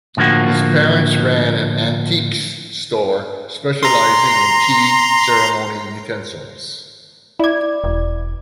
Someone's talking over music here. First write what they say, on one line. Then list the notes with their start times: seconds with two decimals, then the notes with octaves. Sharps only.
His parents ran an antiques store specializing in tea ceremony utensils.
0.17 A2 D3 F3 A#3 F#4
3.83 A#5 C6
7.39 E4 D5 D6 G#6
7.84 E1